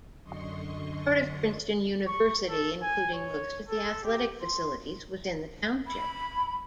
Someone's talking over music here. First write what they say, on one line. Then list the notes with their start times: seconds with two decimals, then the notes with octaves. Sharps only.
Part of Princeton University, including most of the athletic facilities, was in the township.
0.24 F#2 D3 D#5 C6 C#6
2.08 C#6
2.49 A4
2.82 G#5
3.14 C#5
3.68 A4
4.04 G4
4.42 C6
5.87 B5